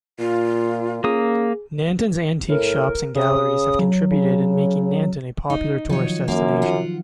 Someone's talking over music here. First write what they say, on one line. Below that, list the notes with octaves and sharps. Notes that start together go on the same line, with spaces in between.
Nanton's antique shops and galleries have contributed in making Nanton a popular tourist destination.
A#2 F4
A#3 C#4 G#4 D#6
A2 A#4
C#3 D#6
F#3
C#3
D#4
D#3 F3 F#3 D#4 C#5
F#2 A#3
F4 F#5